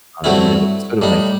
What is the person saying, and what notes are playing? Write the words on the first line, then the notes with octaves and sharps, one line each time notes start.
um, you know, sort of like,
G2 F#3 A3 C4 E4
A2 G3 D#4